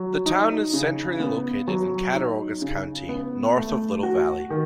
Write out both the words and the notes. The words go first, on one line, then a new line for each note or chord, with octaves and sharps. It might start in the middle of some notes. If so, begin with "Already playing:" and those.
The town is centrally located in Cattaraugus County, north of Little Valley.
Already playing: F#3
D#4
C#3
B3
F#3
D#4
C#3
B3
A3
F#4
D#3